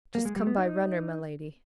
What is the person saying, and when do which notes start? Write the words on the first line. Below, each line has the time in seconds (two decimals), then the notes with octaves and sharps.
"Just come by runner, my lady."
0.15 A#3
0.25 G#3
0.36 G3
0.47 B3
0.58 D#4